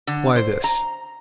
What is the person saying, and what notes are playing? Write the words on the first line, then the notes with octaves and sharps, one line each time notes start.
"Why, this..."
D3
C5
A#5